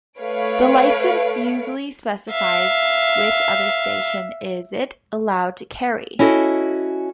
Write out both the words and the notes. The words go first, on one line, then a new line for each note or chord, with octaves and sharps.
The license usually specifies which other station is it allowed to carry.
A3 B4 C#5 F5 D7
E5 F5
C#4 E4 F#4 A4 D#5